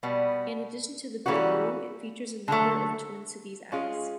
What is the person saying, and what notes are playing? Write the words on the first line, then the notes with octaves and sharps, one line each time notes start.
In addition to the Big Wu it features a number of Twin Cities acts.
B2 G3 B3
E3 G3 A#3 C#4 F#4
D3 F#3 A3
G#3 C#4 F4 G#4